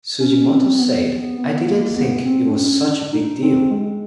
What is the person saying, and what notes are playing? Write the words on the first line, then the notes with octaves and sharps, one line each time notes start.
Sugimoto said, I didn't think it was such a big deal.
C#4
C4
B3
B3
A#3
B3
C4
D4
C#4
D4
D#4
C4
G#3